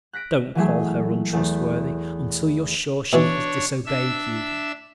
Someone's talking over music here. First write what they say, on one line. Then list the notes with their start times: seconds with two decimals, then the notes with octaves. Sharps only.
Don't call her untrustworthy until you're sure she has disobeyed you.
0.13 F#6 A#6 B6 D7
0.55 E3 F#3 A3 G#4
1.33 E2 A3
3.13 B2 E3 D4 C#5
3.86 D4 E5 E6